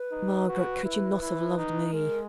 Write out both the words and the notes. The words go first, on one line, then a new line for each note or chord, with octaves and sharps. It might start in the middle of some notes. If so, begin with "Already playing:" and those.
Margaret, could you not have loved me?
Already playing: B4
D#4
F#4
E4
E4
D#4
G#3 A#4